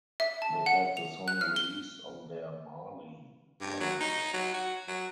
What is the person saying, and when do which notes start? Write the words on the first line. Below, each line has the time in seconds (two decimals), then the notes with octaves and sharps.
They had the song released on their Marlee Label.
0.20 E5
0.42 A5
0.66 F#5
0.97 F7
1.28 F#6
1.41 F6
1.56 G7
3.61 G2
3.80 F#3
4.00 D#4
4.33 F#3
4.54 F#4
4.88 F#3